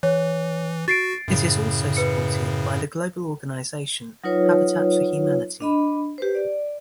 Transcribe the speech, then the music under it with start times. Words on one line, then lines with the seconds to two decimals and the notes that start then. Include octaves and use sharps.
It is also supported by the global organization Habitat For Humanity.
0.03 E3 C#5
0.88 F#4 A6 C7 D7
1.28 F#2 A2 C#3
1.97 B4 C#7
4.24 F#3 D#4 F4 B4 C#5
5.61 D4 D#5 B5
6.18 G4 B4 C5
6.35 D5